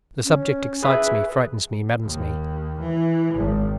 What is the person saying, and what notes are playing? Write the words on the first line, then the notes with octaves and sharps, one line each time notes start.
The subject excites me, frightens me, maddens me.
C#4
G#4 B4 E5
D#2
E3
G#1